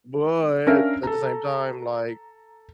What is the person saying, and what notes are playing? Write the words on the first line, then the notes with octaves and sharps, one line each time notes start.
But at the same time, like
C#4 D4 A#4 E5 F5
A4 A#5